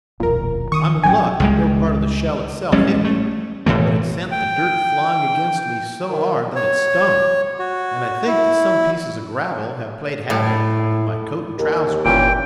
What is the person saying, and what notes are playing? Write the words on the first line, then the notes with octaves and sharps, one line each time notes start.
"I'm in luck that no part of the shell itself hit me, but it sent the dirt flying against me so hard that it stung, and I think that some pieces of gravel have played havoc with my coat and trousers."
D#1 B1 F2 A#2 A#4
D#3 C#6 D#6
A1 F#3 C#4 G5 G#5
C#2 G3 G#3
A1 G3 G#3 C#4
A3
E1 A2 E3 A3
G5
D#3
C#5
F#4
E4
A2
D#2
G1 A#2 E3 C#4 G5